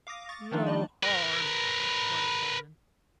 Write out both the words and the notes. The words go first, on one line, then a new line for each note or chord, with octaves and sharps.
"No harm?" retorted Diamond.
F5 D6 D#6 A#6
C#6 A6
D#3 F3 A3 D4 D#4 F4
D5 D#5 A5
A#4 B4